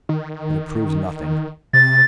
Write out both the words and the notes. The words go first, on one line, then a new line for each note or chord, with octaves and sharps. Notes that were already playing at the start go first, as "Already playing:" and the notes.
But it proves nothing.
D#3
C3 A6